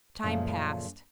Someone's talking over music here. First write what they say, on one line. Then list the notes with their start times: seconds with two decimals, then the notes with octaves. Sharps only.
Time passed.
0.23 F#2 A#2 C#3 F3 A3